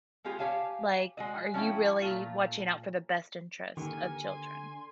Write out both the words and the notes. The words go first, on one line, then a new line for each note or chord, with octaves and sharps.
Like, are you really watching out for the best interest of children?
G#3 B3 F4 G4 G#4
G4 C#5 F5 G#5 A5
G#3 F#4 D#5
F3 C#4 E4 G5
A#2 A3 F4
D3 D#3 G4 A#4 G#5
C6